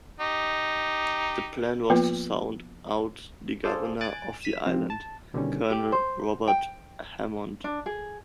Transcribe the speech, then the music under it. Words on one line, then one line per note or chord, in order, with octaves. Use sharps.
The plan was to sound out the governor of the island, Colonel Robert Hammond.
D#4 G4
F3 A#3 B3 F4 B4
F4 G#4 A4 C5 D5
G#5 F#6 A6 D7
B6 D#7 E7
C3 F3 C4
A5
B2 D3 D#3 G3 C#4
G4
C5
G5
D4
G#4